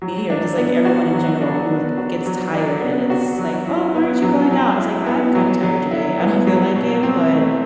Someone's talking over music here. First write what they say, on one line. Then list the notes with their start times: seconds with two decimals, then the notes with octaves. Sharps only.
me or just, like, everyone in general who gets tired and it's like, "Oh, why aren't you going out?" And it's like, "I'm kinda tired today, I don't feel like it." But
0.02 F#3
0.30 D4
0.58 B3
0.85 F#4
1.13 F#3
1.41 D4
1.70 B3
1.97 F#4
2.26 F#3
2.54 D4
2.82 B3
3.10 F#4
3.38 F#3
3.66 E4
3.95 B3
4.23 F#3
4.51 F#3
4.78 E4
5.06 B3
5.35 F#3
5.63 F#3
5.91 E4
6.19 B3
6.47 F#3
6.75 B2
7.03 C4
7.32 A3